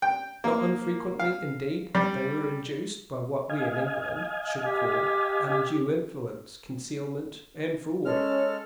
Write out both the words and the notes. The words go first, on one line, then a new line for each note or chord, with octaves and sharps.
Not unfrequently, indeed, they were induced, by what we in England should call undue influence, concealment, and fraud.
G5
A#3
F5
G3
D#5 F5 G#5
G4
G#3 C#4 A4 C#5 F6